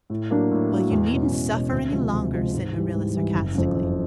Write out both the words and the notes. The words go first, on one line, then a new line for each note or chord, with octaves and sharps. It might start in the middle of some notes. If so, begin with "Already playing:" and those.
"Well, you needn't suffer any longer," said Marilla sarcastically.
A2
F#3 A#3 D4
A2
F#3 A#3 D4
E2
B2 G#3 C#4
E2
B2 G#3 C#4
D2
C3 F3 G#3
D2
C3 F3 G#3
G#2
E3 G3
G#2
E3 G3
F#1
F2 C#3
F#1